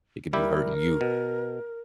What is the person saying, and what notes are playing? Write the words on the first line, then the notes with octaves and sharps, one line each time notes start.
it could be hurting you.
G3 E4 G4 A#4
B2